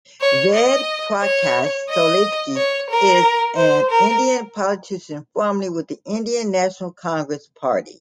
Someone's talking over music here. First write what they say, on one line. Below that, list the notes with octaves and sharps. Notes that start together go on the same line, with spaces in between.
Ved Prakash Solanki is an Indian politician formerly with the Indian National Congress party.
C#5
D#5
C#5
D#5
C#5
A#4
C5
A#4